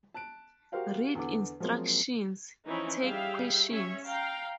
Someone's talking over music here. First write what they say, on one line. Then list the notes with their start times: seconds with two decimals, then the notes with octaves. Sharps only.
Read Instructions. Take questions.
0.14 A5 F#6 D7
0.72 F#4 G4 A#4 C5 F5 G5
1.15 E2 D3 F#5 D6
1.60 F3 F#3 G#3 A#3 C4
2.66 E3 F3 C#4 D#4 E4
3.01 G3 G#4 E5 F5 G5
3.68 C#4 C#5 E5
4.06 F5 G5 A#5